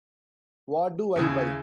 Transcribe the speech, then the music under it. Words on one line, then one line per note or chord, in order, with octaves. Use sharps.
What do I buy?
D#2 C#3 E4 G#4 A#4